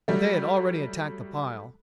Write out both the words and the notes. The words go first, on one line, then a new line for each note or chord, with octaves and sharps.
But they had already attacked the pile.
F#3 G3 A3